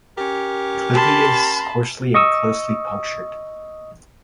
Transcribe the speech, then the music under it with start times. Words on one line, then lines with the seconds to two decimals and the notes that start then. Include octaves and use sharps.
Clypeus coarsely and closely punctured.
0.16 C#4 G4 A#4
0.93 A5 B5 C6
2.14 D#5 C#6 D#6 E6